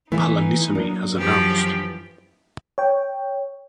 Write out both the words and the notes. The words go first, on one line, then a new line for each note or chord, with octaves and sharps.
Palanisamy has announced.
E3 A3 B3 D#4 E4
F#3 A#3 D4
F#2 E3 F3 G4
C#5 G5